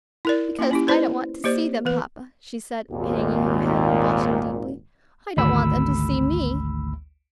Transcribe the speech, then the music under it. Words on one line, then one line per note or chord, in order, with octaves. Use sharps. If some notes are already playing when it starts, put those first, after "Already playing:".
"Because I don't want to see them, papa," she said, hanging her head and blushing deeply; "I don't want them to see me."
E4 A#4 D5
A#3 C#4 F4 G5
C#4 E4 G4
E4 B4 C5 D5
A#3 G4 C5 D5
E3 B3 B4
G#1 D#2 A#2
G#1 D2 B5 E6